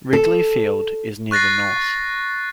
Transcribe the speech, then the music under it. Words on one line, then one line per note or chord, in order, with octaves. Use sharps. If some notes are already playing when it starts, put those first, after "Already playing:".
Wrigley Field is near the north.
A4
C#6 F#6 A6 A#6 C7